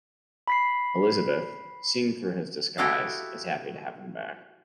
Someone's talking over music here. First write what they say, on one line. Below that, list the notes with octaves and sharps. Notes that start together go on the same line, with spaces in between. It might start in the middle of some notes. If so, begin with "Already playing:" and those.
Elizabeth, seeing through his disguise, is happy to have him back.
B5 B6 C7
E4 F#4 G4 A4 D#5 F5